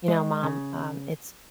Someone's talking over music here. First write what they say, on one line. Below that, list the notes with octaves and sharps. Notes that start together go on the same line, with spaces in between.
"You know, mom, um, it's
G#3
C#3